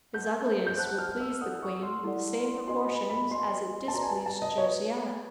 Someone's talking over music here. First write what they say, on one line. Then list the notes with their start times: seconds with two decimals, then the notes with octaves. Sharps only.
His ugliness would please the queen in the same proportion as it displeased Josiana.
0.14 G#4 C5 D#5 F#5 A5 G6
0.67 G6
0.78 G#4 C5 D#5 F#5 A5 F#6
0.99 F6
1.21 E6
1.41 E4 A4 D5 F#5 D#6
1.63 C#6
1.83 C6
2.04 E4 A4 D5 F#5
2.68 F#4 B4 D#5 G#5 C6
2.89 B5
3.10 B5
3.30 F#4 B4 D#5 G#5 C6
3.88 A5
3.94 F#4 B4 D5 A#5
4.03 G#5
4.10 A5
4.26 A5
4.42 D#5
4.57 F#4 B4 C#5 D5